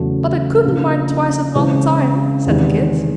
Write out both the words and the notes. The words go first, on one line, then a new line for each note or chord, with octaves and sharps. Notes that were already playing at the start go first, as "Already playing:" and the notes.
"But I couldn't mind twice at one time," said Kit.
Already playing: E2 C#3 F#3 A3
C#3 F3 A#3 D4
C#3 E3 G#3 C4 E4
E2 C3 D#3 G#3